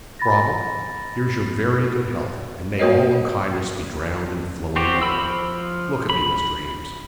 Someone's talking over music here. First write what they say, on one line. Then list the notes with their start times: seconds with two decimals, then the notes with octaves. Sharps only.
Mr. Cradell, here's your very good health, and may all unkindness be drowned in the flowing bowl-- Look at me, Mr. Eames.
0.19 B5 A6 A#6
2.79 A#3 F#4 A#4 C#5 D#5
4.76 C4 F#4 G4
5.02 F3 B5 E6
6.10 B5